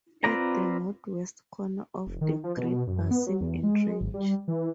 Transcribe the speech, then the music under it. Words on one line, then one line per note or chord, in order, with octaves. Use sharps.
At the northwest corner of the Great Basin and Range.
C4 F4 B4 D5 A#5
F1
D#3
F3
B2
F#2
B3
F#3
E2
G#3
G#1
G3
E3